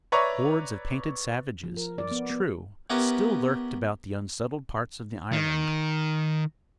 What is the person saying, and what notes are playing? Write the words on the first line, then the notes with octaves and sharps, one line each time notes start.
Hordes of painted savages, it is true, still lurked about the unsettled parts of the island.
B4 C#5 D5 E5 A#5 C#6
F3
A#4
D5
B3
B3
B3 C#4 E4 G4 A#4 B4
D#3